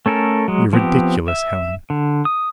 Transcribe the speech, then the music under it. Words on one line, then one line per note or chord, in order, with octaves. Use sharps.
"You're ridiculous, Helen."
A3 C#4 A4 A#4
F#3 G#3
F3 B3 C4 G4
E5
D3
D#6